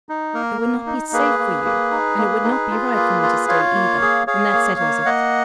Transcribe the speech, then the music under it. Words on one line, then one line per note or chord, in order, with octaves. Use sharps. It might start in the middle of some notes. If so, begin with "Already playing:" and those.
It would not be safe for you and it would not be right for me to stay, either, and that settles it.
D#4
A#3 A#4
A#3
D#4
A#3 G#4 B4
A#3
A#3
D#4
A#3
D#4
F4
A#3
F4
F4 C#5 F5
A#3
G#4
G#4 C#5 F5
A#3
A#3
A#3 D#5 F#5